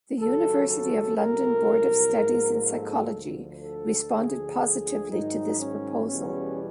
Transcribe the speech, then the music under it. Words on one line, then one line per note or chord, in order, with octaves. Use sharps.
The University of London Board of Studies in Psychology responded positively to this proposal.
D#2 C#3 F#3 A4
A4
C2 A#2 F#3 A3 A#4
G#2 F3 A#3
A4
D2 D3 F3
A4
D2 D3 F3 G#4
G#2 D#3 F#3 D#4
C#4
E2 B2 G3 B3 C#4